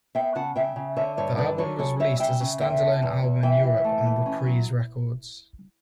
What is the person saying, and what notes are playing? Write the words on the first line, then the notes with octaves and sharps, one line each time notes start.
The album was released as a standalone album in Europe on Reprise Records.
B3 E5 G5
C#3 F#5 A5
C#3 E5 G5
C#3
D3 C#5 E5
G2 A4 C#5
D3 B4 D5
F#3 A4 C#5
C#3 A4 C#5
G3 C#5 E5
C#3 E5 G5
C#3
E2 E5 G5
D3
E2
E2
E3 E5 G5
E3
A3
E3
C#4
F#3